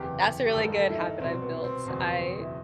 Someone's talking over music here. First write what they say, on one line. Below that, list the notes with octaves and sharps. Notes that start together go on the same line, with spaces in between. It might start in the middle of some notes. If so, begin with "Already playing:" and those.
that's a really good habit I've built. I
Already playing: F#1 E2 C3 E3 G4
G4
A1 G2 D#3 A4
A4
E4
D#4
C2 B2 C4
B3
B3
C4
F#1 E2 B2 C4
E4